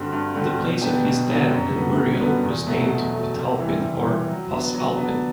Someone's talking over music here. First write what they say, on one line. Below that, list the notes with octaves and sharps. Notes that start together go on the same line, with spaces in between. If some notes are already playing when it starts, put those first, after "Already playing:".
The place of his death and burial was named Pitalpin or Pas-alpin.
Already playing: G2 D3 G3 C4 F#4
G2
D3 G3 C4 F#4
B2
F#3 B3 D4 G4
B2
F#3 B3 D4 G4
F#2
D3 G3 B3 F#4
F#2
D3 G3 B3 F#4
E2
B2 F#3 A3
E2
B2 F#3 A3
C3
E3 G3
C3
E3 G3
F#3
B3 D4
F#3
B3 D4